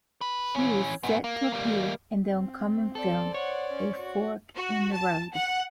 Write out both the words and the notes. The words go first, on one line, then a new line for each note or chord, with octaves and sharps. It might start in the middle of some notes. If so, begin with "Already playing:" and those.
He is set to appear in the upcoming film "A Fork in the Road".
B4
E3 C#4
G#2 B3
A#3
G3 A#3
C4
A4 C5 D5
C#5 F#5
C#4
F#4
F#4
A5
F#5